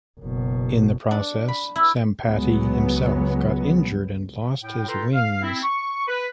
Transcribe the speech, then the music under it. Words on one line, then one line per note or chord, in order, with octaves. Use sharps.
In the process, Sampati himself got injured and lost his wings.
F#1 B2
D4
B5
E4
C#2 F#3 G#3 B3
A2 G5
F4 A4 B4 G5 A#5 C6
F5
C4 E4
C#6
B4